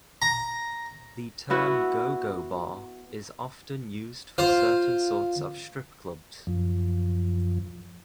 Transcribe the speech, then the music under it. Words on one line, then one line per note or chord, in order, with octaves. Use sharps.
The term go-go bar is often used for certain sorts of strip clubs.
A#5
B3 E4 F#4
F4 C5 F5
F#2 F3